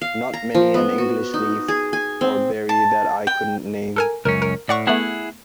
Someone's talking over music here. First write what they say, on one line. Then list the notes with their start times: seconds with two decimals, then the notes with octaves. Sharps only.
Not many an English leaf or berry that I couldn't name.
0.02 F5
0.33 A#5
0.55 F3
0.74 B3
0.98 F#4
1.34 D#4
1.68 G#4
1.93 G#5
2.21 C4
2.69 A5
3.27 G5
3.96 A4 A#4 G#5
4.25 C#2 F#2 C#4 A#4
4.42 A#4
4.69 A2 D5 F#5 C#6
4.87 A3 B3 E4 G#4 F#5